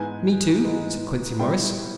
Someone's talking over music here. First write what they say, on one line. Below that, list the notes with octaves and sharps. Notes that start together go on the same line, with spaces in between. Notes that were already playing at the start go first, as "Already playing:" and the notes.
"Me too?" said Quincey Morris.
Already playing: G#2 E3 G#3 B3 G#5
G#2 E3 G#3 B3
B2 G3 B3 E4 G5